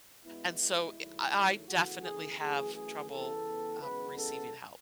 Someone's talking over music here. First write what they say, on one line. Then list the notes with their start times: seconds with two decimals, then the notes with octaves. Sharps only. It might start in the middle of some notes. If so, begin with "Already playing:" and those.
and so, eh I I definitely have trouble, um, receiving help.
0.24 E2 B2 G#3 B3 E4
0.61 E4
0.96 G#2 D#3 F#3 A3
1.67 E2 C#3 E3 A3 F#4
2.03 G#4
2.39 F#2 E3 A3 G#4
2.75 G#4
3.10 E2 C#3 E3 B3 A4
3.82 F#2 C#3 E3 G#3 B3 B4
4.18 A4